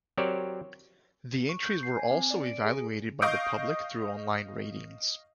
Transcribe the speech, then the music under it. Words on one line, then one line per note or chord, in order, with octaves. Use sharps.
The entries were also evaluated by the public through online ratings.
F#3 C4 G4 A#4 C#5 D5
C#6
G6
C7
G#5
C4
D5
D7
G#4
D#5 F5 C#6 D#6 G6 D7